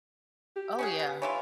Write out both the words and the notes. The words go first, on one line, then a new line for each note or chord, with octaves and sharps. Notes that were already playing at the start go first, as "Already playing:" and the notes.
Oh, yeah.
G4
C#4 F#4 G#4
B3
E3 E4 F4 C#5